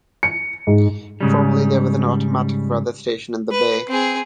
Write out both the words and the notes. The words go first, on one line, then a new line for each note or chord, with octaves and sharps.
Formerly there was an automatic weather station in the bay.
C#7
G#2
G#2 C#3 G3
B4
C4 G#4